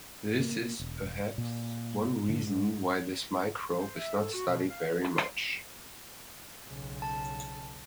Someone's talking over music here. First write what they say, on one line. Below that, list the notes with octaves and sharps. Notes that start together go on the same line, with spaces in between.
This is perhaps one reason why this microbe is not studied very much.
A#3
E1
A#2
D3
G#2
C5
E5
A4
F#4
B2
F5
B4
D4
C6
B1 C#3
A5